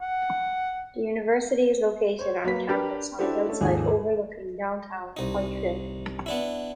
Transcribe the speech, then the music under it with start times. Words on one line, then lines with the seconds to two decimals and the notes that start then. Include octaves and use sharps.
The university is located on a campus on a hillside overlooking downtown Pikeville.
0.01 F#5
2.19 C5 C#5
2.44 F#3 A#3 B4 B6
2.69 D4 G4 A#4 B4
3.19 D4 E4 F#4 G4 A4 C5
3.48 A3 C#4 A4
3.61 G#1 D#2 F3 G#4 A4 G#5
5.17 C2 D#4
6.26 B3 D4 E4